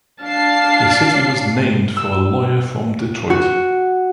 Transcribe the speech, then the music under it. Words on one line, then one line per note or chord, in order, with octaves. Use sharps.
The city was named for a lawyer from Detroit.
D4 F5 A5 C7
E6
F#4